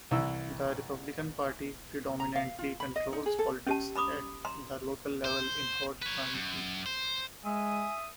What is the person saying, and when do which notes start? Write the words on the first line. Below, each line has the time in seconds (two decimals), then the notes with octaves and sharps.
The Republican Party predominantly controls politics at the local level in Holt County.
0.11 C2 E3 E6
2.20 A#5
2.36 F5
2.59 F4
2.80 B5
2.96 D#5
3.13 D#4
3.26 G#4
3.39 A4
3.67 C#4 G4 A5
3.96 A#5 B5 D6 D#6
4.45 A#5 C6
5.24 C5
6.02 B4 C#5
6.34 F#2
6.86 C5
7.45 G#3 E5 G#5 D#6